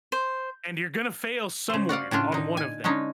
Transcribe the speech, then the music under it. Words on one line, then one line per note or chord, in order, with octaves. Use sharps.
And you're gonna fail somewhere on one of them.
C5
C#3 C5
F#4 D5 F5 F#5
A2 C#3 D4 F4
D3 D#4
G#5
D3 G#3 C#4 D#4